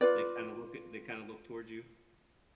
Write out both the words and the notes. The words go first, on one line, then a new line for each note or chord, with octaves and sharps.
they kinda look at they kinda look towards you
F4 B4 D5